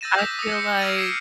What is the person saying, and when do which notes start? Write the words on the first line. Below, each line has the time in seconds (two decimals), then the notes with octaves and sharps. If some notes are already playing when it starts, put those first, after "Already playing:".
I feel like
0.01 E6 G6 A6 A#6 D#7 E7
0.18 D6 D#6 F#6 G6 B6
0.39 D#6 E6 A6 A#6 C#7
0.52 G6 B6 C#7
0.79 E6 F6 G#6 A#6 D7 D#7
0.96 G#6 C7 D7